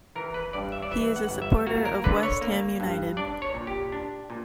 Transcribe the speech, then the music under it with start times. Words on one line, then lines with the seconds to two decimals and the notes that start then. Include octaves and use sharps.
He is a supporter of West Ham United.
0.15 E3 A#4
0.34 B4
0.53 G2 D5
0.72 E5
0.82 D5
0.91 E3 E5
1.16 F#5
1.29 G1
1.42 E5
1.67 A#3 F#4
1.85 A#4
2.04 D3 B4
2.23 C#5
2.41 A#3
2.80 G2
3.17 D4 D5
3.42 C#5
3.54 A#2
3.67 G4
3.92 D4
4.30 A#2